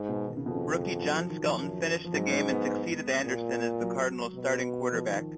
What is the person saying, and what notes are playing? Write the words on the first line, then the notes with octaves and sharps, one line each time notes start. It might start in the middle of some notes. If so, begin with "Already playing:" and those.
Rookie John Skelton finished the game and succeeded Anderson as the Cardinals' starting quarterback.
Already playing: G#2
B2
D#3
C#3
F2 B2
C#3
F#3
F3
D#3
F3
F#2
F3
G#2 F#3
G#3
B3
A#2
F#3
B2
F3
D#3